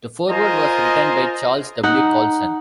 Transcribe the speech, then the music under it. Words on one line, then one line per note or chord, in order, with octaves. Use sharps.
The foreword was written by Charles W. Colson.
F4 A#4 C5 D#5 G#5 A#5
D#4 F#5